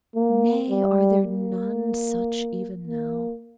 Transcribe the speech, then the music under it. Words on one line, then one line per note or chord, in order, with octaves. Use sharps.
Nay, are there none such even now?
A#3
G3
A#3
A#3